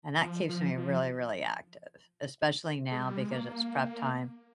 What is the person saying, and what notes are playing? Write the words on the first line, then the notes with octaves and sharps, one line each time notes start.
and that keeps me really, really active, especially now because it's prep time,
F3
F3
F3
G#3
G3
G#3
A#3